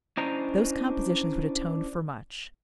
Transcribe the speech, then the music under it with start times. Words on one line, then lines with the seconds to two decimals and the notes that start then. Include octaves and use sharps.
Those compositions would atone for much.
0.17 C#4 D4 E4 C5 D#5 A#5